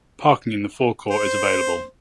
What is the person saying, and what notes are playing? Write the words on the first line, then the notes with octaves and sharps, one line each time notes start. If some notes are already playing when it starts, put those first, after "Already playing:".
Parking in the forecourt is available.
C5